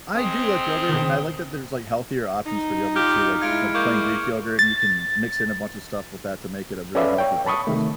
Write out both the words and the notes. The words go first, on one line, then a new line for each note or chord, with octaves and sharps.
I do like yogurt, and I like that there's, like, healthier options for yogurt too, like like plain Greek yogurt, and you can mix in a bunch of stuff with that to make it a really healthy breakfast.
F2 G#3 C4 D#6
B2 D#3
D#4
F4 G4 F6
G#3 E4 F4 G#6 C#7 D7
A#3 C#6 D6 G6
A6
C#4 A4 B4 D5 E5 F5
C#5 G5
A5 B5 C#6 D#6
C3 D#3 A3